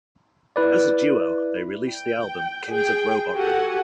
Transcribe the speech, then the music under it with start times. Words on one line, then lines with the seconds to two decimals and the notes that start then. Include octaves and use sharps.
As a duo, they released the album "Kings of Robot Rhythm".
0.56 E4 B4 D5
1.89 G5
2.70 G#4 G5
3.35 F#4 G4 A4 F#5 G#5